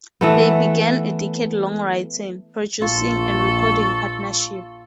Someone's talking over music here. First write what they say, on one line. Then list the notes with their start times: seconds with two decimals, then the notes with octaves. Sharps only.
They began a decade-long writing, producing, and recording partnership.
0.21 E3 A3 B3
2.82 A#1 F4 A4 C#6